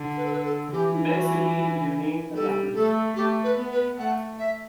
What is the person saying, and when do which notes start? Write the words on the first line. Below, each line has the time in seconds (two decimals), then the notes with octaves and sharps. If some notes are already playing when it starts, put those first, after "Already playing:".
Quebec City remained the capital.
Already playing: D3
0.17 B4
0.25 A4
0.33 B4
0.44 A4
0.71 E3 G4
1.12 F#4
2.35 G3 A4
2.75 A3 A4
3.16 A3 G4
3.44 B4
3.58 B3
3.72 B4
3.98 A3 F#5
4.39 E5